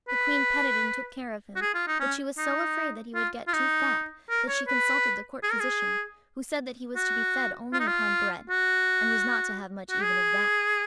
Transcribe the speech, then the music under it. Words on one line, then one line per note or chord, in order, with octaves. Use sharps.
The Queen petted and took care of him, but she was so afraid that he would get too fat that she consulted the court physician, who said that he was to be fed only upon bread, and was not to have much even of that.
B4
F#4
G#4
F4
D#4
C#4
D#4
F4
F4
D#4
A#4
C#5
B4
G#4
A#4
G#4
F#4
F4
D#4
F4
F#4
F#4
G#4